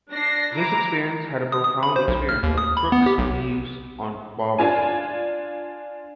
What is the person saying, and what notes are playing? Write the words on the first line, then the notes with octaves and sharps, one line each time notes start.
This experience had a profound influence on Crooks' views on poverty.
D4 A#6 C7
E4 A#5 D6
D#6
D#6
B5
C5
B1
F6
D#2
D#6
B5
B3
G4
B1
D4 F4 G#5